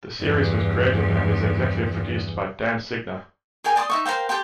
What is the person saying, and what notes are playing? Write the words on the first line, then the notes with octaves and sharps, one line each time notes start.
The series was created and is executive produced by Dan Signer.
E2 G2
G#4 A#4 G5 G#5
D5 C6 D6 D#6
D#4 E5 C#6
A#4 C5 F5 G5
G4 A4 G5 C6